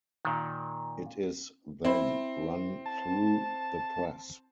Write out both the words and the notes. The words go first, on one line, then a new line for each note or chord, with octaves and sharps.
It is then run through the press.
A#2 D#3
C4 E4
A5